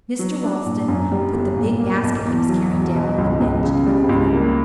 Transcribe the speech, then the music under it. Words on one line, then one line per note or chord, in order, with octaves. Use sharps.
Mr. Ralston put the big basket he was carrying down on a bench in the corner.
F#3
D4
A#2
F#2
G3
G1
A#2
A#3
B1
E2
F#3
E1
B2
C#2
C#2
C#3
G3
C#2
A#3